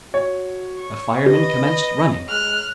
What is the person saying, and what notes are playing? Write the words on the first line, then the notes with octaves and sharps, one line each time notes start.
A fireman commenced running.
F#4 C#5
C#6
G4 B4 D#5
G#3 F6 F#6